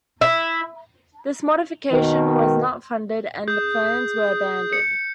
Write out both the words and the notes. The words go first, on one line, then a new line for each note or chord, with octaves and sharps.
This modification was not funded and the plans were abandoned.
E4
B2 D#3
G#4 D#6 G6
C#7